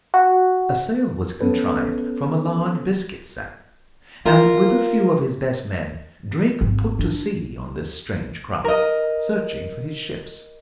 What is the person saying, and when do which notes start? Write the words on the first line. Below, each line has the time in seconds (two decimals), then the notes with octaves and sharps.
A sail was contrived from a large biscuit sack, and with a few of his best men Drake put to sea on this strange craft, searching for his ships.
0.14 F#4
1.41 B3 C#4 A4 B4
4.26 F4 A#4
6.61 G#1
6.99 D4
8.64 A#4 D#5